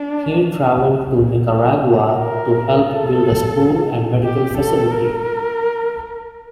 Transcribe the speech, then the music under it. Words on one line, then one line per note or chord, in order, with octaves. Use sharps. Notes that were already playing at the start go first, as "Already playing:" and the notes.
He travelled to Nicaragua to help build a school and medical facility.
Already playing: D4
A#4
A4
G4
A4
A#4